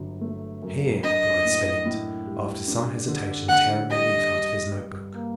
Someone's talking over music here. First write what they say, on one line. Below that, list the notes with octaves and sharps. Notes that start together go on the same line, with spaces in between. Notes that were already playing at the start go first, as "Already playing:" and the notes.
"Here," replied Spilett, after some hesitation tearing a leaf out of his note-book.
Already playing: G1 F#3
A3
F#2
D4 D#5
A2
A2
G3
D4
D3
D3 F#5
G3 D#5
G3
G2
A#3